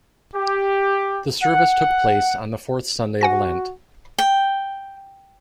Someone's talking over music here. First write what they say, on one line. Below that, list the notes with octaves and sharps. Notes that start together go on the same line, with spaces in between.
The service took place on the fourth Sunday of Lent.
G4
F#5
F#4 F#5 G#5 A#6
G5